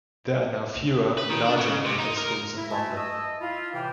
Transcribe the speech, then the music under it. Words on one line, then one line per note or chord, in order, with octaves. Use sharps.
There are now fewer, larger medical schools in London.
B4
D#3
D4
C#3
C3
D#4
A#4
E4
A3 F#4 E5 G#5 A5
D#5 E6
E4 F4
A2 C3 E3 F4 C5 G5